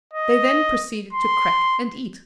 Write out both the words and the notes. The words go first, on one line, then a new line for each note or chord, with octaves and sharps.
They then proceeded to crack and eat.
D#5
C6